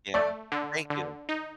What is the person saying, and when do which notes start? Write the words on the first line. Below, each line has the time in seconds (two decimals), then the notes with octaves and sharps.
Yeah, well thank you.
0.14 A3 D5
0.52 D3
0.90 D3
1.29 D#4